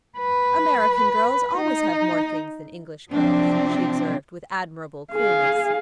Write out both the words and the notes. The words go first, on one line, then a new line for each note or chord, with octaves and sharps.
"American girls always have more things than English girls," she observed, with admirable coolness.
B4
D#4
C3 F3 F#3 C4 D4
G#4 F5